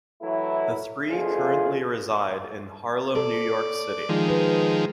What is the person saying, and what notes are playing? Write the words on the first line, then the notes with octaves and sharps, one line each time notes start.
The three currently reside in Harlem, New York City.
E3 F#3 A3 E4
B2 F3 A3 D4 F4 G#4
A4 D5
D#3 F3 G#3
B4